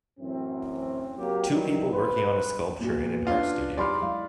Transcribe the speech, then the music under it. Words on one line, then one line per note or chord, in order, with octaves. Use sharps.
Two people working on a sculpture in an art studio.
F#2 A2 E3 F#3 C4
F#3 A#3 G4
D#3 E3 F#3 G3
B4 C5
A#2 B3 F#4
C#4 D4 F4
D#4 G4 G#4 D5 B5 C6 F6
G#3 E4 F5